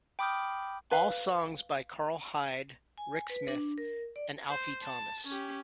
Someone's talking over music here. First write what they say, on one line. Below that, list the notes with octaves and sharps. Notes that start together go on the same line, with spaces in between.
All songs by Karl Hyde, Rick Smith, and Alfie Thomas.
G5 B5 D6 D#6 F6 G6
B4 F5
G#5
B4
D4
A#4
D5
C5
A5
C#4 G4